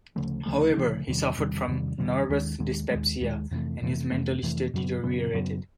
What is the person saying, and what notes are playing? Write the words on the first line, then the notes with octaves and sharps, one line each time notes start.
However, he suffered from "nervous dyspepsia" and his mental state deteriorated.
D2 C#3 F3 A3
D2 C#3 F3 A3
D2 C#3 F3 A3
E2 C3 D#3 G3
E2 C3 D#3 G3
E2 C3 D#3 G3
E2 C3 D#3 G3
D#2 D#3 G#3
D#2 D#3 G#3
D#2 D#3 G#3
D#2 D#3 G#3
F2 C3 E3 A3
F2 C3 E3 A3
F2 C3 E3 A3
F2 C3 E3 A3
F#2 C#3 F#3 B3
F#2 C#3 F#3 B3
F#2 C#3 F#3 B3